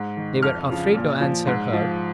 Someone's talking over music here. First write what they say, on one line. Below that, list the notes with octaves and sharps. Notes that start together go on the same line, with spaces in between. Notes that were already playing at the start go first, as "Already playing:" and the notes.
They were afraid to answer her.
Already playing: G#2
D#3
F2 F6
C#3 F3
A#2
F3
G#2
F3